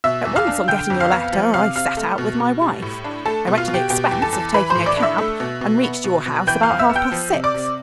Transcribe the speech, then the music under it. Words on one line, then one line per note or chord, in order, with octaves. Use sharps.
At once on getting your letter I set out with my wife, I went to the expense of taking a cab, and reached your house about half-past six.
B2 E5 E6
E2
F5 F6
D4
D3 G5 G6
F2
F5 F6
B3
F3
C3 F5 F6
C3 F5 F6
A3
B2
B2
G3
A2
D4
A3 A4 A5
B2
F4 F5
B2
G4 G5
B2 G4 G5
E2
A4 A5
E2
E3 B4 B5
C5 C6
A2
D5 D6
D4
E5 E6
A3
B2
B2
B3
B2
B2
E3 G5 G6
F5 F6
F2
E5 E6
B3
G5 G6
F3
C3
D5 D6
C3